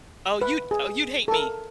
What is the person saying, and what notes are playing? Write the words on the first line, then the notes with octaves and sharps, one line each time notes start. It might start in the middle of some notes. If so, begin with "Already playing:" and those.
oh, you'd oh, you'd hate me.
B4
G#4
A4
A#4